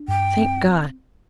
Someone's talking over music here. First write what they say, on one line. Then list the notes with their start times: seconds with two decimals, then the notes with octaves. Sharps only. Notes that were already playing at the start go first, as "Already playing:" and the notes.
"Thank God!"
Already playing: D4
0.08 G2 G5
0.37 C4